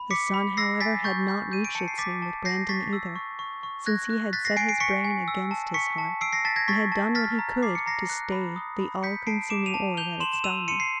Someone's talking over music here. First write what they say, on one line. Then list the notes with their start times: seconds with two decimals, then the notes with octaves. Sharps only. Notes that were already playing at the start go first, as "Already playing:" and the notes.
The sun, however, had not reached its noon with Brandon, either; since he had set his brain against his heart, and had done what he could to stay the all-consuming orb at its dawning.
Already playing: B5
0.11 D6 B6 C#7
0.34 B5
0.57 E6 A#6 C7
0.81 G#5 A6 B6
1.04 C#6 G6 A6
1.28 G6
1.52 G6 D#7
1.65 D7
1.75 A5 C#7
1.88 C7
1.98 D6 A6 B6
2.22 A5
2.45 G6 A#6 C7
2.69 C#6 A6 B6
2.93 E6
3.16 C#6
3.39 C#6
3.63 C#6
3.86 F#6 G#6 A#6
4.10 F#6
4.33 F#6 A6 B6
4.45 A#6 C7
4.56 G#5 C7 D7
4.69 C7 D7
4.80 C#6 B6 C#7
5.04 G#5
5.28 E6
5.51 A5
5.74 C#6 B6 C#7
5.98 A5
6.21 E6 C7 D7
6.33 A#6 C7
6.45 A5 A6 B6
6.56 G#6 A#6
6.68 C#6 A6 B6
6.92 A5
7.15 F6 A6 B6
7.39 A#5
7.62 D6 C7
7.75 C#7
7.86 A#5 A#6 C7
8.10 F#6
8.32 B5
8.56 D#6
8.79 B5
9.03 G6 B6 C#7
9.27 A5 C7 D7
9.50 D6 D7 E7
9.66 D#7 F7
9.74 A5
9.97 G6 F7 G7
10.20 C6 E7 F#7
10.33 E7
10.44 E6 D#7 F7
10.68 C6 C#7 D#7
10.80 C7